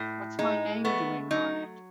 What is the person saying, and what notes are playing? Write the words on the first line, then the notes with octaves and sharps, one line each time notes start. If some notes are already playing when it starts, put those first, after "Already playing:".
What's my name doing on it?
Already playing: A2
G#3 D#4
A3 B3
F#3 D#4